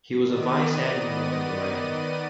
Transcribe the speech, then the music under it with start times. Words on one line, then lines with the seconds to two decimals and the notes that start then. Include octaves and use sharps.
He was a Vice-Admiral of the Red.
0.23 D#3 B3 D5 D#5 D#7